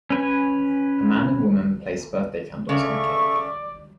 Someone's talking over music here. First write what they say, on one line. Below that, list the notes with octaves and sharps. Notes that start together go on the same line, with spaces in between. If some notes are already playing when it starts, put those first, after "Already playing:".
A man and woman place birthday candles on a cake.
C#4 B4 G#5
C#3 A4 D5 E5 C#6